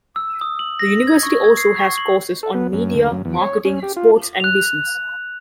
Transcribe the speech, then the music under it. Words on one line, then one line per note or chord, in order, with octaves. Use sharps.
The university also has courses on media, marketing, sports and business.
E6
D#6
F#7
A#6
G#6
C#6
G#6
C7
C#6
F#7
A4
B3
F#2
D2
F#2
E2
C#5
C#4
G4
F4
F#6 F7